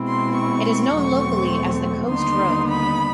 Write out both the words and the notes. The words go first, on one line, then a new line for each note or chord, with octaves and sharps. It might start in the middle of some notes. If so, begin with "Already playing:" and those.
It is known locally as the Coast Road.
Already playing: B2 G#3 C4 E4
C6
C#6
E2 B2 F#3 A3 C4
D#2 D3 G3 B3 D#4 C6
B5